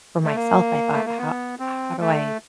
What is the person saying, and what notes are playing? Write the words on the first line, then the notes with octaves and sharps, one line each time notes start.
for myself, I thought, "How how do I
A3
A#3
A3
A#3
B3
C4
A3